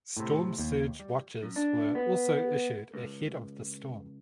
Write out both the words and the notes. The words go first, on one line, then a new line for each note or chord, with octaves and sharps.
Storm Surge Watches were also issued ahead of the storm.
A2 C3
D#2
G3
F#2
D4
B3
C#2